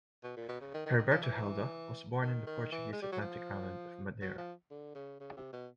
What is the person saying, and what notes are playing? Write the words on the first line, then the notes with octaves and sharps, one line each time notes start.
Herberto Helder was born in the Portuguese Atlantic island of Madeira.
B2
A#2
B2
C#3
D#3
D#3
D#3
F3
E3
D#3
D#3
E3
G#3
G3
F#3
F3
F#3
F3
D3
C#3
C#3
C3
B2